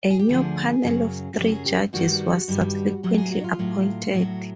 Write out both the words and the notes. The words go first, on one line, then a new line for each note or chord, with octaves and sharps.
A new panel of three judges was subsequently appointed.
G#4
G4
D2 D3 F3 G#4
F#2 C#3 F#3
F#4
F#2 C#3 F#3 G4
G#4
G4
G2 D#3 G3 F#4
G2 D#3 G3
A2 F#3 G4
G#4
F#4
F4
A2 F#3
A2 F#3 F#4